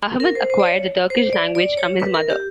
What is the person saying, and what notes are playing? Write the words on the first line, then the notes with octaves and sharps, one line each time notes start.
Ahmad acquired the Turkish language from his mother.
A#4
C5
C5
D5
C#5
C5
D5
D5
C#5
B4
A#4
G4